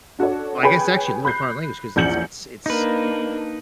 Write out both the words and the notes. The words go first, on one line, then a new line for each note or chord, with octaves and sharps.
well, I guess actually a literal foreign language 'cause it's it's it's
D4 F#4 A4 C#5 D5
G#4 B4 C#5 G5 G#5 B5
B5 F#6 G6 C7
A#1 E2 C#4 G6 C#7 F#7
A#3 D4 D#4 B4